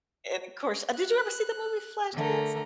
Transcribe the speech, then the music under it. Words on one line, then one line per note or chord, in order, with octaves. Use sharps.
And of course, uh did you ever see the movie "Flashdance?"
F#6
D3 A3 A#4